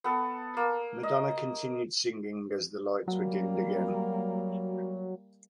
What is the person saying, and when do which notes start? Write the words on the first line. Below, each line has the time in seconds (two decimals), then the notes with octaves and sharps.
Madonna continued singing as the lights were dimmed again.
0.04 B3 A4
0.57 A#3
1.03 D#5
3.08 F#3 G3 A#3